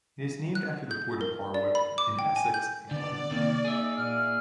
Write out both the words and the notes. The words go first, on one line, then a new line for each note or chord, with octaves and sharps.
It is named after the port of Harwich in Essex, England.
F#6
G6
A#4
D5
B5
D6
G5
G#5
G6
D3 B3 D5
C3 D#3 A#3
A#3 D#4 G#4 E5
A#2 D5 F6